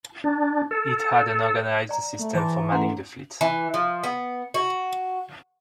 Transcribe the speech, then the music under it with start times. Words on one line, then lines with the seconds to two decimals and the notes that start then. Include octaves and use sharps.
It had an organized system for manning the fleet.
0.24 D4
0.71 A4
1.89 D5 A#5
2.19 A3
2.35 E3 G#4 C5 A5 A#5 D6
2.72 A3 C#4 F#5 A#5 C6
3.41 E3
3.74 F3
4.04 B3
4.54 F#4